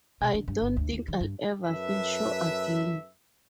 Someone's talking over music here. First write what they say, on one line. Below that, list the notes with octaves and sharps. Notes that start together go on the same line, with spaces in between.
I don't think I'll ever feel sure again.
B2
D3
G2
G1
D2
D#2
D#3
G2
F#2 A4 B4 E5